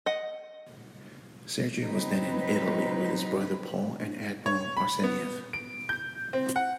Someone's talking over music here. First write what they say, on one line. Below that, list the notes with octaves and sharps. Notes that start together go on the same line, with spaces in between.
Sergei was then in Italy with his brother Paul and Admiral Arseniev.
D#5 F#5
F#3 C4 D#4 B4
C#5
B5
B3
D7
G6
C4
F#5